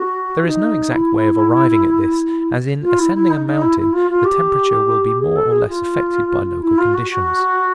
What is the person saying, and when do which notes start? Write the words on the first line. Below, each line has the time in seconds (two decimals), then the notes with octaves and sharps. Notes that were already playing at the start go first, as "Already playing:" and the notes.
There is no exact way of arriving at this, as in ascending a mountain the temperature will be more or less affected by local conditions.
Already playing: F#4
0.46 D#4
0.93 E4
2.82 F4
2.99 E4
3.14 E4
3.30 D#4
3.46 D#4
3.62 E4
3.78 E4
3.93 F4
4.10 F4
4.24 G4
5.19 G#4
5.36 A4
5.51 G#4
5.68 F4
6.62 E4
6.78 F4
6.93 F#4
7.09 F#4